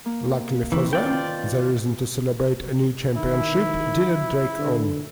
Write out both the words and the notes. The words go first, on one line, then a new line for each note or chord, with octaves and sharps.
Luckily for them, the reason to celebrate a new championship didn't drag on.
A#3
D#3 E3 C4 B4
F4 D5 G5
D#3 E4
D3